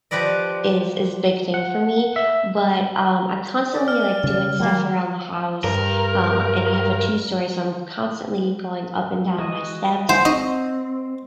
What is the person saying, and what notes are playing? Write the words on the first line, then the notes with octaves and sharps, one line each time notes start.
is is big thing for me. But, um, I'm constantly, like, doing stuff around the house, uh, and I have a two-story, so I'm constantly going up and down my steps,
F3 G4 B4 D5 D#5
F#5
E5
D5
F6
C#3
D#3 F#3 G#3 A#3
G2 A#4
G#3 F#4 D#5
E3 C5 F#5 G#5
C4 D#4 D#5 C#6